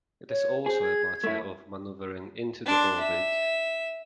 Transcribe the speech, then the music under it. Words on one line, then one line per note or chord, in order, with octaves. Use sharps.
It is also a matter of maneuvering into the orbit.
C#5
G#4 C5
G#6
A3 E4
D4 C6
E5